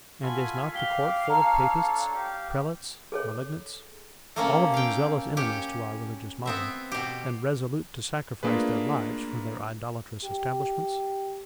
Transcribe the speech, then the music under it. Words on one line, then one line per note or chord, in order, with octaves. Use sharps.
And is not the court full of Papists, prelates, malignants; all of them zealous enemies to our religious model, and resolute to sacrifice their lives for their idolatrous establishments?
F4 F#4 A4 G#5 B5
G4 F5 D6 B6 G7
D4 A4 C#5 A#5
G4 F5 G5
G#4 A4 C#5
A3 A#3 C#4
F5 G5
C#4 G4
B3 C4 E5
B2 G4
A3 A#3 D4 F4 G#4 B4
G4